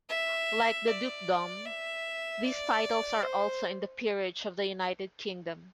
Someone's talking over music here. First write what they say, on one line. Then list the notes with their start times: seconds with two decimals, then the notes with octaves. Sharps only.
Like the dukedom, these titles are also in the Peerage of the United Kingdom.
0.09 E5
0.88 D5
1.66 E5
2.44 D5
3.23 C5